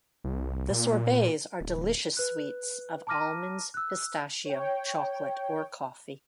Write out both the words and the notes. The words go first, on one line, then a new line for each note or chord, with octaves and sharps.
The sorbets are delicious sweets of almonds, pistachio, chocolate, or coffee.
C2
A#2
D1
B4 F#6
A5 A#5 D6 F6 A#6 D#7
E6 F#6
C#5 G5